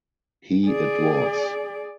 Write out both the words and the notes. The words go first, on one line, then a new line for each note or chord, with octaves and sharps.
He it was.
G#4 D5